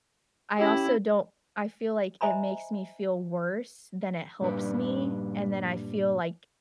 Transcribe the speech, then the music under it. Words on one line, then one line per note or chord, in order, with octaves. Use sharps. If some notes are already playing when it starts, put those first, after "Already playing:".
I also don't I feel like it makes me feel worse, than it helps me, and then I feel like
C#4 E4 G4
C5 D#5 E5 G#5 A#5 B5
G2 A#2 G3 D4 B4